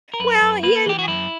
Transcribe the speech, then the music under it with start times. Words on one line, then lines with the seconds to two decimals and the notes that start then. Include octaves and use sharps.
Well, you
0.14 A#4
0.20 F#2 B4
0.41 F#2
0.63 A#3 B4
0.86 E3 G4
0.99 F#4
1.08 F#2 E4